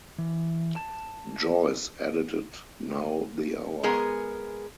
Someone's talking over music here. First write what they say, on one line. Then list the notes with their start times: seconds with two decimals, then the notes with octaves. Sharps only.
Joyce edited Now's the Hour!
0.18 E3
0.76 A5
3.83 G#3 B3 G#4 A#4